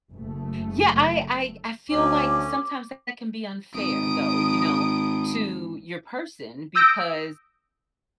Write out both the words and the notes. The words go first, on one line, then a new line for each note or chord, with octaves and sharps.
Yeah, I I I feel like sometimes that can be unfair, though, you know, to your person, because,
F#1 A3
D2 C#4 D6
G#1 D#6 D7
D#6 E6 G6 A#6 D7